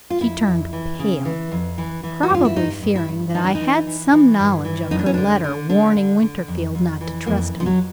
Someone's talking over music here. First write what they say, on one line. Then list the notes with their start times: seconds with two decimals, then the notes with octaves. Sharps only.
She turned pale--probably fearing that I had some knowledge of her letter warning Winterfield not to trust me.
0.10 F4
0.21 F2 E4
0.47 F2
0.73 E3
0.99 C#3
1.25 E3
1.52 F2
1.78 E3
2.03 E3
2.23 F#4
2.30 G2 F4
2.45 E4
2.56 G2 D#4
2.83 G2
2.95 E4
3.09 G2
3.34 E3 D#4
3.44 D4
3.55 D#4
3.60 E3
3.87 E3
4.13 E3
4.39 G2
4.65 E3
4.91 F#2 D#4
4.99 D4
5.06 C#4
5.14 D3 D4
5.44 D3
5.70 D3 D4
5.96 D3
6.22 D3
6.48 F2
6.75 F2
7.01 E3
7.26 F2 A#3
7.53 F2
7.60 F3
7.66 F#3